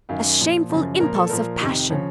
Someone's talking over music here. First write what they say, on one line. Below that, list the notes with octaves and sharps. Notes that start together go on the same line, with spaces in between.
A shameful impulse of passion.
F#2 D#3 F5
A#2 F3
F#2 C#3 F3
A#2 F3 A#4
A4
A#2 F3 A#4
F2 C3 D#3
C#3 F3 C#5